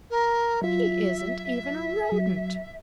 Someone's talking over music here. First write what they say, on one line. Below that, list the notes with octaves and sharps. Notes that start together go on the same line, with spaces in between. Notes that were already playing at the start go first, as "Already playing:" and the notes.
He isn't even a Rodent.
A#4
F#3 F4 E5
F#3